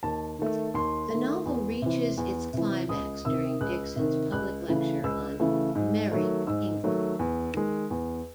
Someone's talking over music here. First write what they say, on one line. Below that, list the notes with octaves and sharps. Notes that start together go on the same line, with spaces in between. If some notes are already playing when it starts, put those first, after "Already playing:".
The novel reaches its climax during Dixon's public lecture on "Merrie England".
D#2 A5
D#3 A3
D#2 C6
D#3 A3
E2
C3 E3
E2
C3 E3
C#2 D#6
C3 D#3 E6
C#2 F#6
C3 D#3
C#2 F#6
C#3 E3 A3
C#2 E6
C#3 E3 A3
G#2
D#3 F#3 A3
G#2 E6
D#3 F#3 A3
E2
D#3 G#3
E2